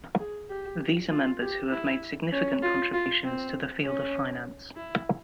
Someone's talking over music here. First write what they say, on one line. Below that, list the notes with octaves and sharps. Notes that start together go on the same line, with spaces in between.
These are members who have made significant contributions to the field of finance.
G#4
G4
F4
G4
E4
C#4
F4
F4
C4
C#4
E4